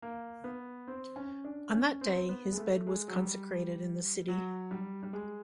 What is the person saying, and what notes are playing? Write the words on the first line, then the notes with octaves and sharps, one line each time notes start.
On that day, his bed was consecrated in the city.
A#3
B3
C4
C#4
D4
C#4
C4
B3
G#3
A3
G#3
F#3
G3
F#3
G3
G3
G#3